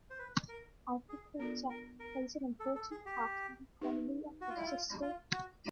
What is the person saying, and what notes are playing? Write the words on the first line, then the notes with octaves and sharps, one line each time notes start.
Agriculture plays an important part in the economy of Rochester.
C5
B4
A#4
G#4
B3 D4 F4 A4 A#4 D5
A#4
A#4
A4
A4
G#4
G4
D#4 G4 B4 E5
F#4
F4
E4
F4
F4
F#4